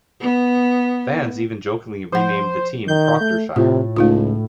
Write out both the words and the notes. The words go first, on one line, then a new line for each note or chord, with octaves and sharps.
Fans even jokingly renamed the team Proctershire.
B3
F3 C5 F#5
D#3 G6
A3
A2 C3 F4
C#2 A3 D#4 F4